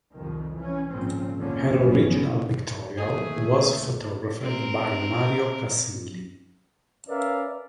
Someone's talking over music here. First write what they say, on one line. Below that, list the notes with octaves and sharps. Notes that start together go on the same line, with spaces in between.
Her original pictorial was photographed by Mario Casilli.
C2 F2 D#3
E3 C#4
G#1 A#2 C#3 F3 C4 C#4
A#1 F2 D3 F3 A#3 C#4
G1 G2 F#3 B3 C#4
D#2 A2 A3 G#4
C4 A#4
C#4 A#4 B4 D5 E5 F5